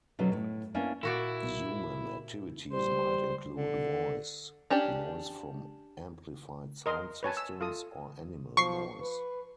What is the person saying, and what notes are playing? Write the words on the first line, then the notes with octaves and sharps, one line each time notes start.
Human activities might include voice, noise from amplified sound systems, or animal noise.
B2 D3 F#3 C#4
A2
A#3 B3 C#4 D4 E4
A#2 E4 F#4 D5
G3 C5
D3
C#4 D4 G4 D5
A#4 D#5 C6
B4 C#5 G#5 A5
E6
F4 A4 D#6
F3 C#6 C7
B4